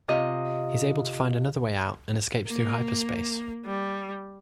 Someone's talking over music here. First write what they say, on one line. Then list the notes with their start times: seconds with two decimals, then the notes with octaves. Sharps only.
He is able to find another way out and escapes through hyperspace.
0.08 C3 F4 D#5 F5
2.47 A#3
3.65 G3